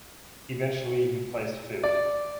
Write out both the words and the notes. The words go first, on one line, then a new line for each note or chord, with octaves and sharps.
Eventually, he placed fifth.
D5